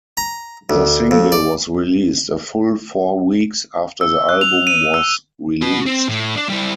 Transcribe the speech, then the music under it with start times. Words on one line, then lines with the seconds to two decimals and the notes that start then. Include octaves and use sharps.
The single was released a full four weeks after the album was released.
0.17 A#5
0.70 D2
1.11 F2
1.32 D5
4.01 E6
4.29 F#6
4.41 F7
4.67 D#7
4.94 E6
5.62 F#4 B4
5.86 C4
6.09 A2
6.36 D4
6.50 G3 E4